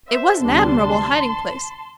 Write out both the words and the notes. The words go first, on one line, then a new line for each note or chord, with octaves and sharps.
It was an admirable hiding-place.
C5 E5
D2 C3 G3 B3 D4 A5 C6